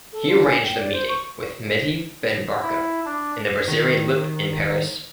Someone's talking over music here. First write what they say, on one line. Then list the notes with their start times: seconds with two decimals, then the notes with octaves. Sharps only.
He arranged the meeting with Mehdi Ben Barka in the "Brasserie Lipp" in Paris.
0.13 A4
0.28 F4
0.44 G#5
0.63 G5
0.77 D5
0.92 C5
1.08 C#6
2.63 E4
3.06 D4
3.68 D#3